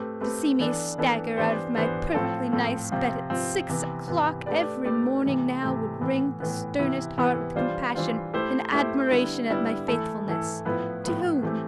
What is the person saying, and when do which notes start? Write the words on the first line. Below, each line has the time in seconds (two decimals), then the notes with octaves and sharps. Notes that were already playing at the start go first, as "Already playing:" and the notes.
To see me stagger out of my perfectly nice bed at six o'clock every morning now would wring the sternest heart with compassion and admiration at my faithfulness--to whom?
Already playing: A3 C4 G4 B4
0.21 A3 C4 G4 B4
0.60 E3 B3 D4 A4
0.98 E3 B3 D4 A4
1.37 E3 B3 D4 G4 C5
1.76 E3 B3 D4 G4 C5
2.14 A2 F3 C4 F4 A4
2.52 A2 F3 C4 F4 A4
2.92 C3 F3 C4 F4
3.30 C3 F3 C4 F4
3.69 C3 E3 B3
4.08 C3 E3 B3
4.46 A3 D4 G4 B4 D5
4.85 A3 D4 G4 B4 D5
5.24 C3 E3 A3
5.63 C3 E3 A3
6.01 A2 E3 B3
6.40 A2 E3 B3
6.79 C3 E3 B3 E4 B4
7.17 C3 E3 B3 E4 B4
7.56 E3 G3 D4 F4 C5
7.95 E3 G3 D4 F4 C5
8.33 A3 E4 G4 C5 E5
8.72 A3 E4 G4 C5 E5
9.11 D3 G3 B3 E4
9.50 D3 G3 B3 E4
9.88 E3 A3 E4 A4
10.27 E3 A3 E4 A4
10.65 A2 F3 B3 E4 B4
11.04 A2 F3 B3 E4 B4
11.43 E3 A3 C4 E4 G4